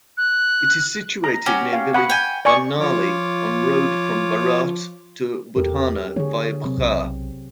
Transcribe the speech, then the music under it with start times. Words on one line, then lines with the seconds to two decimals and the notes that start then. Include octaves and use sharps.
It is situated near village Bamnauli on road from Baraut to Budhana via Puchar.
0.17 F#6
1.24 A#5
1.46 C#4 F#4 G4
1.73 F5
1.94 F#5 B5
2.10 G5 G#5
2.45 D5 G#5 C#6
2.80 F3 F4 C#5 D6
5.56 E2 G4 A4 A#4
6.16 D3 G#4 C#5
6.64 C3 F#3 C4
6.78 B1